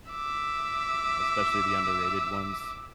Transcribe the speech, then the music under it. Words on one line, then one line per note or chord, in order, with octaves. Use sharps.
especially the underrated ones.
E5 D6